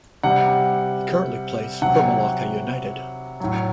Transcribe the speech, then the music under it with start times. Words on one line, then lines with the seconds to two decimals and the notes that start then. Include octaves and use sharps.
He currently plays for Melaka United.
0.23 C3 G3 F#5
1.82 C3 F#3 F#5
3.40 A2 F#3